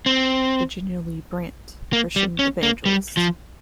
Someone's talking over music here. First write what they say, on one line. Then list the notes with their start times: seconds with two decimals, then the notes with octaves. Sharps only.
Virginia Lee Brandt, Christian evangelists.
0.06 C4
1.93 A#3
2.16 G3
2.39 C#4
2.63 A#3
2.86 G3
3.17 F3